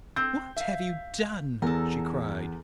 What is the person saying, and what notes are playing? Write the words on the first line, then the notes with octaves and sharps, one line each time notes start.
'What have you done?' she cried.
C4 G6
E5 F5
E2 A4 A#4